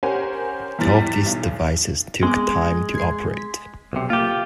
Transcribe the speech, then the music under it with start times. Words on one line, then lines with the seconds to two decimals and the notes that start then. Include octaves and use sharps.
All of these devices took time to operate.
0.03 C#4 G4 A#4 C5 F#5 G#5
0.79 E2 E3 G3 A6
1.26 B1
2.23 G#3 B3 C4 D6
2.95 G#6 C7
3.37 B6
3.93 B1 C3
4.10 A#3 F4 G4 A#4